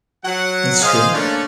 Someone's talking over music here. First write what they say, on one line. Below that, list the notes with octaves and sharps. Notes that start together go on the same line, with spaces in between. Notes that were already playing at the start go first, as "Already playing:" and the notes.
That's true.
F#3 F#5
G#4 C5 D#5 F5
A3 A#3 C#4 D4 C#5 D5